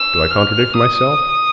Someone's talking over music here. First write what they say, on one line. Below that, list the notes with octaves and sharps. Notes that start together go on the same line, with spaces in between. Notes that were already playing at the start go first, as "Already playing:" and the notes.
Do I contradict myself?
Already playing: E6
F6
D#6